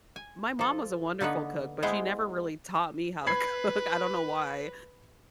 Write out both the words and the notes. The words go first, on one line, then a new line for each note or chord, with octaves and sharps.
My mom was a wonderful cook, but she never really taught me how to cook. I don't know why.
G#5
F3 A4
D3 A#3 B3 D#4 B4
G#3 B3 E4 C5 G5
B4 B5 G#6 C7